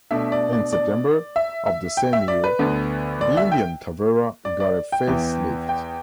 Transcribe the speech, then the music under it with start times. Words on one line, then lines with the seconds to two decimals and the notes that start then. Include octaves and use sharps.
In September of the same year, the Indian Tavera got a facelift.
0.11 B2 A3 D4 E5
0.32 D5
0.53 D5
0.73 D5
1.36 E5
1.66 E5
1.97 G5
2.13 E5
2.28 D5
2.44 B4
2.59 D2 D3 B3
3.21 D5
3.37 E5
3.52 G5
4.45 D5
4.60 D5
4.92 G5
5.07 E2 E3 B3
5.69 G5